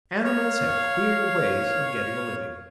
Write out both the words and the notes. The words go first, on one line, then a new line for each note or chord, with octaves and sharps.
Animals have queer ways of getting a living.
C#5 F5